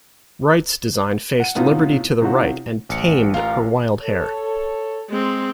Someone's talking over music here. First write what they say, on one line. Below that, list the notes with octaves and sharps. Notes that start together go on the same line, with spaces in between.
Wright's design faced Liberty to the right and "tamed" her wild hair.
F#5 D#7
A2 C3 B3 C#4 D#4 F4
C3 E3 C#4 D#4 F4 F#4
A1 C#7
F4 A#4 F5
A4 C#5
G#3 C4